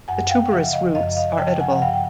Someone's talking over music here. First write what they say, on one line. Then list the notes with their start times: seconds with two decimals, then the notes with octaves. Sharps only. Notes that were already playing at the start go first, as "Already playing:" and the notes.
The tuberous roots are edible.
0.08 F#2 F#5 G#5
0.29 F5 G5
0.48 F5
0.51 C#3 F3 E5 F#5
0.73 D#5 F5
0.95 F#2 D#5 F5
1.16 D#5 F5
1.38 C#3 F3 G5 A5
1.60 F#5 G#5
1.76 F#5
1.82 G2 F5 G5
1.94 G5